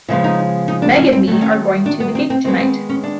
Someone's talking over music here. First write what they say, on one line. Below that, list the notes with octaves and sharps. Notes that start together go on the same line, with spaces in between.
Meg and me are going to the gig tonight.
C#3 F3 G#3 B3 E4
D#4
D#4
D4
C#4
C4
D#3 F#3 A3
C#4
D4
B3
C4
C4
D#3 G#3 B3 C4
C4
C#4
D4